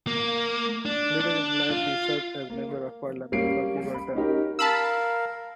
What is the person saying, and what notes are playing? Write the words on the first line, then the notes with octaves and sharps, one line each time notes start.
Later in life he served as Member of Parliament for Tiverton.
A#3
D4
D4
F4
A#3
G3 A#3 C#4 C7 D7
B5
C#4 D#4 G4 A#4
A#4 F5 A5 B5 E6